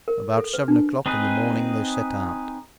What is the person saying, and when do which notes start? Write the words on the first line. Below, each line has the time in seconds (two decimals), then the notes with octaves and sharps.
About seven o'clock in the morning they set out.
0.08 A#4
0.37 A4
0.54 B4
0.68 D4
1.06 C4 D#4 G#4 B4